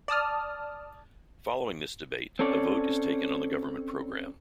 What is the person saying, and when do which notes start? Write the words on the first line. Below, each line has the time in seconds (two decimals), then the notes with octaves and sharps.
Following this debate, a vote is taken on the Government Programme.
0.08 D5 A5 D#6 F6
2.39 C4 C#4 A4 C#5 D5